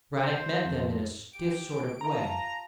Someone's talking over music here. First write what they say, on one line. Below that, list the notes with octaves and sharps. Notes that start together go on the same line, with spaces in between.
Brad-dock met them in a stiff sort of way.
C5
F2
G4 D7
F4 A5 A#5